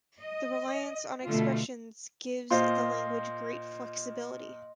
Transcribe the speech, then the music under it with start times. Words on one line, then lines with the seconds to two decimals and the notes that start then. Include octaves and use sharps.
The reliance on expressions gives the language great flexibility.
0.20 D#5
1.26 B2 D3 A3 F4
2.51 A#2 F4 C5 D#5 C6